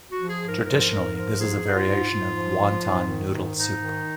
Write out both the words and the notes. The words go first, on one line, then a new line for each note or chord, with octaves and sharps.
Traditionally this is a variation of wonton noodle soup.
F#4
F3
G#4
G#2
A#4
F3 A#4
G#2 A#4
F3 A#4
G#2 G#4
G#2
F4
G#2
G#2
F3
F3
G#2
D#3
G#2
G#2 D#4
D#3